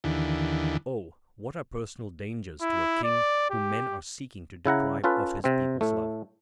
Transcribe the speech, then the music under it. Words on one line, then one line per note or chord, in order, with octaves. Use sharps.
Oh! what are personal dangers to a King whom men are seeking to deprive of his people's love?
D#2 D3 E3
E4
D5
G4
C#3 E4 F#5 A#5
C#4 F4 A4 B4
C3 C4
A2 A3